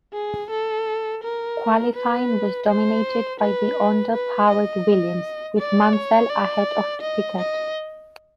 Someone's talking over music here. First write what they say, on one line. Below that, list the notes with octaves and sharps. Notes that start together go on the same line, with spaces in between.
Qualifying was dominated by the Honda powered Williams, with Mansell ahead of Piquet.
G#4
A4
A#4
B4
C5
B4
B4
D#5
D5
C#5
D5
D#5
D#5